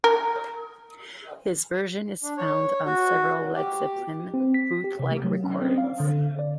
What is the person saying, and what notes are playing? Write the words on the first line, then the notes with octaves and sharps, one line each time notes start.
This version is found on several Led Zeppelin bootleg recordings.
A#4
D4
C#5
F#4
G4
C4
B6
G4
C3
A3
F#3
C#4
C4
F5
D3
D5